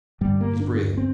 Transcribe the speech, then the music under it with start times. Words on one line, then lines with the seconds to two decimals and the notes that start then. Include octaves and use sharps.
He's breathing.
0.21 G2 D3 G3
0.41 A#3
0.60 D4
0.97 C4